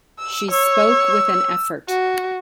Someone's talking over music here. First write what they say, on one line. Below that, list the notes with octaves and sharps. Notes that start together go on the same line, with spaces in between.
She spoke with an effort.
E6
C#5 E6
F#4